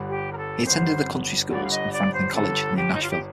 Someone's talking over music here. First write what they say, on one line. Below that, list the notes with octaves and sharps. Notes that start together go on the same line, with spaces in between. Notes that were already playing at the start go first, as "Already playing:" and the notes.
He attended the country schools and Franklin College, near Nashville.
Already playing: G1 G2 D3
G4
A#4
A4
G1 G2 D3 C5
G1 G2 D3 D5
F5
D#5
D5
C5
G1 G2 D3 A4
G4
D#4
F4
G4